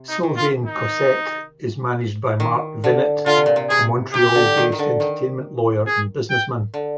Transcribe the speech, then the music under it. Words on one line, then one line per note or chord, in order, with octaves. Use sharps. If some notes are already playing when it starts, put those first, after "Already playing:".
Sylvain Cossette is managed by Mark Vinet, a Montreal based entertainment lawyer and businessman.
Already playing: C3
D#4
D#3
F4
D#4
D#3
D3
D3 F4
C3
A#2
C3
C3 G#4
C3 G4
D3
D#3
D#3
D3
D#3
G#4
G5
D3